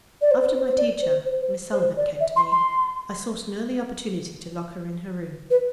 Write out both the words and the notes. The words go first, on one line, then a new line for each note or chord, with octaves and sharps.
After my teacher, Miss Sullivan, came to me, I sought an early opportunity to lock her in her room.
D5
C5
C5
C5
C5
D5
C5
C5
C5
C5
D5
E5
C6
C6
B4